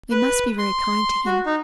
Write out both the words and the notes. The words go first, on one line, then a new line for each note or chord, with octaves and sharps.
We must be very kind to him.'
B4
C6
F#4
D#4